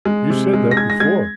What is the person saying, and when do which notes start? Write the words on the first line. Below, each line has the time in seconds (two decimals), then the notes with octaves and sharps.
"You said that before."
0.05 G#3
0.30 C3
0.53 G#3
0.71 A#6
0.77 G#3 G#6
0.90 A#6
1.00 G#3 G#6